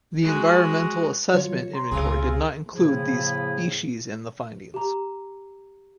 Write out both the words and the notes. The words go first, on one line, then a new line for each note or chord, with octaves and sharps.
The Environmental Assessment inventory did not include these species in the findings.
G#3 F#4
D3 F#3 F4 C#5
A#5 C6
C#2 C3 F4 G#4
A2 C#3 F3 A#3 E4 G#4
G4 A#5